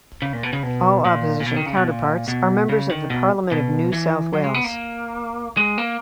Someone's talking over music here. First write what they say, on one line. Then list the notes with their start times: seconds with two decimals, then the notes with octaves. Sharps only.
All Opposition counterparts are members of the Parliament of New South Wales.
0.22 C#3
0.33 A#2
0.43 B2
0.53 C#3
0.63 B2
1.05 A#2
1.40 A#2
1.46 B2
1.56 D#3
1.66 C#3
1.77 B2
1.87 A#2
2.28 B2
2.69 C#3
2.90 D#3
3.10 B2
3.51 B2
3.93 E3
4.33 F#3
4.44 G#3
4.54 B3
4.64 A#3
5.57 G#3
5.78 A#3